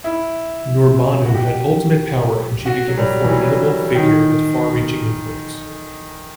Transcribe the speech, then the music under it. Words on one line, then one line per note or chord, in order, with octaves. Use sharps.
Nurbanu had ultimate power, and she became a formidable figure with far-reaching influence.
E4
F#4
G4
F#4
F#3
G3
E3
F#3
D#3